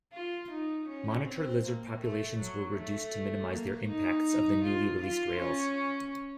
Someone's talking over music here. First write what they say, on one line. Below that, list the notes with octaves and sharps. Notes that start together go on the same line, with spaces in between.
Monitor lizard populations were reduced to minimize their impacts of the newly released rails.
F4
D#4
C#4
C4
A#3
A3
F#3
A3
A#3
D#4
F4
F4
C#4